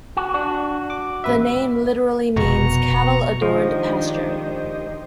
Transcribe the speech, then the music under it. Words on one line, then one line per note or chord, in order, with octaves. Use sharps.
The name literally means cattle-adorned pasture.
F#4
D4 F#4
D6
A1 B4 E5
F1 B2 A#5 C#6
D#3 F3 G#3 D4 G4 C5 D#5